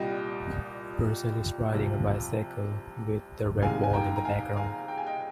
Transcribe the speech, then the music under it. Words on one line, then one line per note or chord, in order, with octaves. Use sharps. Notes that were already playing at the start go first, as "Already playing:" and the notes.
A person is riding a bicycle with a red wall in the background.
Already playing: C2 A#2 G3 D#5 G5
C2 C3 F3
C2 C3 D#3 G#3 F5 G#5
G#5
G5 A#5
A#5
F5 G#5
F5 G#5
G5
G#5
D#5 G5